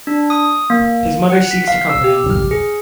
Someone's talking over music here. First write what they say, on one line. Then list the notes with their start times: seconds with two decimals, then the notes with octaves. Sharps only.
His mother seeks to comfort him.
0.07 D4
0.30 D#6
0.70 A#3
1.30 F#5
1.51 B6
1.68 F5
1.89 E6
2.04 G4
2.30 F6
2.51 G#4